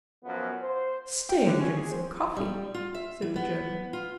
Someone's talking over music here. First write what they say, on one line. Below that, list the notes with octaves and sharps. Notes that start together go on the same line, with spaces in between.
"Stay and drink some coffee," said the German.
F#2 F3 B3
C5
G5
D3
C#4
G#4
C4
G3
F4
E5
E3
B3
F4